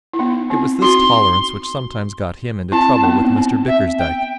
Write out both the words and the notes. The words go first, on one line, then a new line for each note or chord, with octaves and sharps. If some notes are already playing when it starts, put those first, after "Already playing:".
It was this tolerance which sometimes got him into trouble with Mr Bickersdyke.
E4
B3 D#4
C4 E4
D#4 F#4 C6
C4 E4 A5
E4
B3 D#4
B3
C4
E5
G5